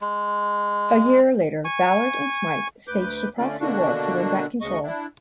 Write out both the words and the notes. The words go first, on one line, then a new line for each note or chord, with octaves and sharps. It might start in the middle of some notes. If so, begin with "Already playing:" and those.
A year later, Ballard and Smythe staged a proxy war to win back control.
G#3
G#5 C#6
D2 B4 D6 G6
D3 A3 C#4 F4 D5
B2 D3 A#3 D4 F#4
D2 C#3 D#5 C#6
D4 E4